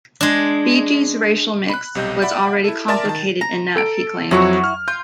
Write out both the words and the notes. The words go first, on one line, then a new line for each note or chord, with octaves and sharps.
Fiji's racial mix was already complicated enough, he claimed.
G#3 D4
B5 F#6
B1 C3 G3 D#5 G6
D5 E5 F#5 B5
E4 A4
A#4 D5 E5 A5 D6 A6
D#3 A5
A#5
A4 D7
F2 F#3 E4 F#4 C#5
F6
F4 G6